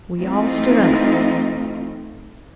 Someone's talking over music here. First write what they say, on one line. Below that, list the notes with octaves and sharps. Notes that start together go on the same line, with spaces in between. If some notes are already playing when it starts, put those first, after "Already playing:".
We all stood up.
E3 A3 C4 D#4 F4